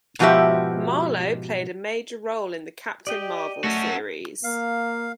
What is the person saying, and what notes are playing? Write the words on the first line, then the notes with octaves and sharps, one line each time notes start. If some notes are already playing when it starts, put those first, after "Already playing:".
Marlo played a major role in the "Captain Marvel" series.
G#2 B2 F3 F#4 G4 E5
G4 D5 D#5 G5
A3 C#4 F#4 E5 A5
A#3 F5